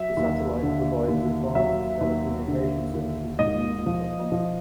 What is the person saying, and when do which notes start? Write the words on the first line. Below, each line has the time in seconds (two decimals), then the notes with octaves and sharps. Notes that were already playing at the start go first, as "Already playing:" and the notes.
The satellite provides advanced telecommunication services to the Indian subcontinent.
Already playing: F#3 E5
0.17 D#2
0.63 D3
1.08 D#2
1.55 F#3 E5
2.01 D#2
2.48 D3
2.93 D#2
3.39 G#2 D#5
3.86 F3
4.32 F3